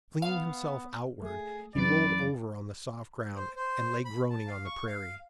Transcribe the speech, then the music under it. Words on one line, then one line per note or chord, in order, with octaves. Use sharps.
Flinging himself outward, he rolled over on the soft ground, and lay groaning on the prairie.
B3 F5
A3 G#4
F#2 E3 B4 D5
C5
C5
B5
A5
F5
C#6
F5